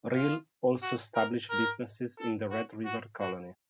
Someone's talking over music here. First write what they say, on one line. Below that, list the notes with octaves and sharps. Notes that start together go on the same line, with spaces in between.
Riel also established businesses in the Red River Colony.
F4
F#4
A#4
A#4
A4
F#4
F#4
F#4